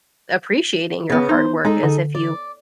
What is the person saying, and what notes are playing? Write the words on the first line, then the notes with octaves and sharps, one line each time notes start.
appreciating your hard work as if you
C#3 B3
D#4 C5
G#3 D#4 G#4 A4
D3
D5